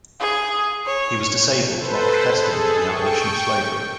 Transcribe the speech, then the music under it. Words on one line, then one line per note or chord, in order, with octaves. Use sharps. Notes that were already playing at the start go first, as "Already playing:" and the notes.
He was disabled while protesting for the abolition of slavery.
G#4
C#5
A4 B4 C5
G#4 A4
G5 C#6